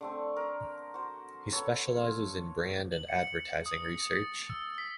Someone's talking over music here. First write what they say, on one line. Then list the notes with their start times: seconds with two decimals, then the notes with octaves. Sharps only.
He specializes in brand and advertising research.
0.01 D3 A3 C4
0.36 A#4
0.94 F#4 C5
1.52 A4 B4 C#5 F#5
1.96 F4
2.92 F#7
3.09 C#7
3.66 D#6
4.15 A6
4.50 E6
4.78 B6